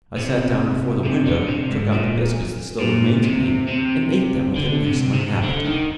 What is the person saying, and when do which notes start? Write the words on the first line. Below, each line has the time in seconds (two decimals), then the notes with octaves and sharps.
I sat down before the window, took out the biscuits that still remained to me, and ate them with an excellent appetite.
0.18 C3
1.05 C3
1.27 D3
1.49 C3
1.71 G#2
1.93 A#2
2.80 A#2
3.24 C3
3.68 C3
4.56 D3
4.85 C3
5.14 C3
5.43 D3
5.65 D#3